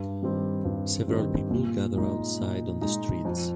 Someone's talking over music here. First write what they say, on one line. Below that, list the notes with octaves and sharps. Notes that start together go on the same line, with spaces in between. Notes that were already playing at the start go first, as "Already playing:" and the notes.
Several people gather outside on the streets.
Already playing: G2
D#3 G3 C4
G2
D#3 G3 C4
A#2
G#3 D#4
A#2
G#3 D#4
F2